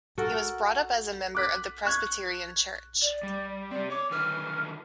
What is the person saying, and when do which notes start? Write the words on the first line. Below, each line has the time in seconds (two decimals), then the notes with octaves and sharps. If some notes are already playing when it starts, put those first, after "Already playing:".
He was brought up as a member of the Presbyterian church.
0.18 F#4 A4 A#4
1.35 D6 F#6 B6
1.85 C#6 F#6 G#6
3.01 D5
3.23 G3
3.71 C4 G4 D5
3.90 C#5 D6
4.11 D3 D#3 B4 F6